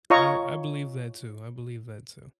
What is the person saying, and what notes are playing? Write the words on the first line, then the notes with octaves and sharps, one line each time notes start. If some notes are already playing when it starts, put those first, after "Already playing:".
I I believe that too. I believe that too.
F4 C#5 D#5 A#5 C#6